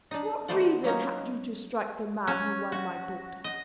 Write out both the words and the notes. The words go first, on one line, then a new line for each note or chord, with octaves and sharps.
"What reason had you to strike the man who won my daughter?"
D4 D#4
D#3 A3 B3 C5 D5 F#5
F#3 A#3 C#4 D#4
C#4
F#4
D#5